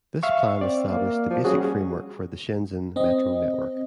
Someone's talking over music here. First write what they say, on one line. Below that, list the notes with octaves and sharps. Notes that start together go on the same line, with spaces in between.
This plan established the basic framework for the Shenzhen Metro network.
E5 F5 C#6
C4 D5
A#3
F3
G3 C#4 F#4 G#4
C4 D#5